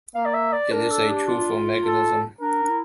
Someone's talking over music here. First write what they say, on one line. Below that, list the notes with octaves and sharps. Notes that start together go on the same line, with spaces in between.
It is a truthful mechanism.
A#3 F5
D5
E5
D5
D4 A#4
A4
G4
F4
A4
D4 A#4
D4
E4